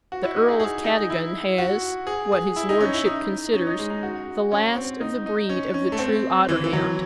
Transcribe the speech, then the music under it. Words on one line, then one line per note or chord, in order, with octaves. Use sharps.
The Earl of Cadogan has, what his Lordship considers, the last of the breed of the true otter-hound.
F#4
E4
D#4
G#4
G#4
D#4
E4
F#4
G#4
G#4
E4
D#4
C#4
E4
D#4
C#4
D#4
G#3
D#4
F#4
C#4
C4
D#4
D#4
C#4
C#4
A3
C4
E3
E3
F#3